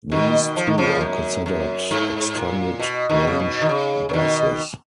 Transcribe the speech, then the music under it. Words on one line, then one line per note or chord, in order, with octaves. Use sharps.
These too are considered extended-range basses.
B2 D#3
F3
D#3
C#3 F3
F#2
F#2
G#2
A#2
B2
B2 D#3
C#3
B2
D#3
C#3
C#3
B2 D#3